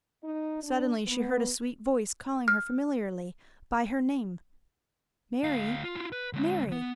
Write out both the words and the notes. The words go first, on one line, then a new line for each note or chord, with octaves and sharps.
Suddenly she heard a sweet voice calling her familiarly by her name, "Mary, Mary!"
D#4
D4
B3
F6
D2 F5
F4
E4 F4
B4
D3 G#3
B3